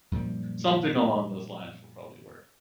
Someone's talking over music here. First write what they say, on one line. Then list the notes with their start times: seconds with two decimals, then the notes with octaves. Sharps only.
something along those lines will probably work.
0.12 F#2 A#2 F3 G3